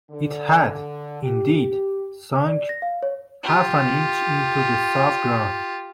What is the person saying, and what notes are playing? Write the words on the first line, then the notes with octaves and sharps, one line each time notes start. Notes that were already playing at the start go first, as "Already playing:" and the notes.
It had, indeed, sunk half an inch into the soft ground.
D3
G4
D5
A#6
F5
C#5
F4 G4